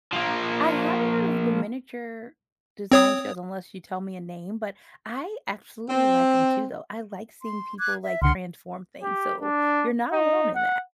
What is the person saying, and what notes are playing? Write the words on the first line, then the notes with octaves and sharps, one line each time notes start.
I haven't heard of the miniature design shows, unless you tell me a name, but, I absolutely like 'em too though. I like seeing people, like, transform things, so, you're not alone in that.
F3 A#3
C4 C#5 D#6
C4
C6
D6 F#6 G#6
E5
C#2 D3 F#5 C6 F6
G4
D4
D#4
F#5